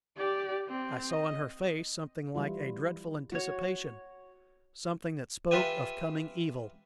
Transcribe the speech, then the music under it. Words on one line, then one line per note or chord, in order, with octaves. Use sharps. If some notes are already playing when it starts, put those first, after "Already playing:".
I saw in her face something like a dreadful anticipation--something that spoke of coming evil.
G4 D5
C4
D#5
E3 G3 E4 F4
F#4 C#5
F4 G4 B4 E5 G5 G#5